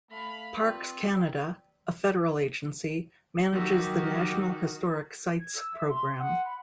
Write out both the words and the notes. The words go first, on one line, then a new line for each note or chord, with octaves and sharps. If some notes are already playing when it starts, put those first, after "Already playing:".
Parks Canada, a federal agency, manages the National Historic Sites program.
A3 F5 B5
G3 C4 F4 B4 G5
D#3 F#3 F#4 G4 E6
G#6
E6
E5
C6
F#5
B5